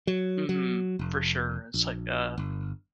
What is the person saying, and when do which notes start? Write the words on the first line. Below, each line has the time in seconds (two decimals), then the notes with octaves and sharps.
Mhm, for sure, it's like, uh,
0.07 F#3
0.49 F#3
0.99 F1
1.74 A#1
2.38 G1